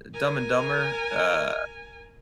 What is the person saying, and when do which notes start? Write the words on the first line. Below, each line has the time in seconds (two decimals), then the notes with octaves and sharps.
Dumb and Dumber? Uh
0.14 A#4 G#5